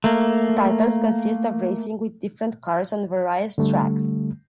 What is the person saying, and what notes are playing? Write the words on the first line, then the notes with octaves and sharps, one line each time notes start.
The titles consist of racing with different cars on various tracks.
A3 A#3
D3 G3 A3